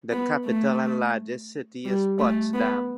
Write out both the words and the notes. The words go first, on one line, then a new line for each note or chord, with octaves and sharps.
The capital and largest city is Potsdam.
B3
A3
G3
A3
B3